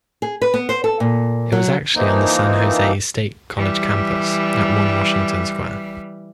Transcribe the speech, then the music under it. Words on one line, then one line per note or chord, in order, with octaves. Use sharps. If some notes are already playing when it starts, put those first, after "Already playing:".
It was actually on the San Jose State College campus at One Washington Square.
G#4
B4
B3
C5
A4
A#2
F#3
E3 F3 A#3 C4 D#4
E3 G3